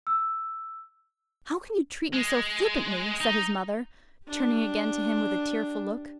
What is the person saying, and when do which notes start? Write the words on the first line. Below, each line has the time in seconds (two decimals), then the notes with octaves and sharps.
"How can you treat me so flippantly!" said his mother, turning again to him with a tearful look.
0.07 E6
2.13 G#3
3.21 D#4
4.27 D4 G4